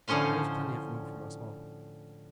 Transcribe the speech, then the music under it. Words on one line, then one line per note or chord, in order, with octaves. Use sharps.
There was plenty of room for us all.
A2 D3 F3 C#4 C5 F5